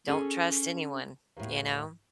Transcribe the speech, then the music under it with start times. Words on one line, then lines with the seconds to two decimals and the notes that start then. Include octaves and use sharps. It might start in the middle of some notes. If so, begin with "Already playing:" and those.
Don't trust anyone, you know.
0.07 C#4 G#4 A4 G#5
1.37 D#2 A2